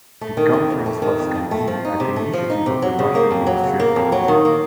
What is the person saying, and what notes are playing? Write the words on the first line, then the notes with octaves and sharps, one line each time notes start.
The conference was convened at the initiative of the Russian Ministry of Culture.
A3
D#3
F2
F2
A3
D#3
F2
F2
A3
F3
D#4
C3
A3
F3
D#4
C3
F#3
C#3
A#3
F2
F#3
C#3
A#3
F2
F#3
D#3
A#3